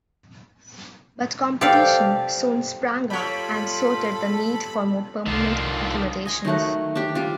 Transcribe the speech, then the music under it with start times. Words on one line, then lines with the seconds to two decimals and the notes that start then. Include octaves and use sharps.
But competition soon sprang up and so did the need for more permanent accommodations.
1.61 G4 A4 C5 D5 F5
3.10 G3 F4 A4 C#5 B5
5.26 C2 D3 D#3 D4 F4
6.26 D#5 G#5 C6
6.45 D#3 F#3 A3 F#5
6.95 D4 G4
7.15 G3 D4 F4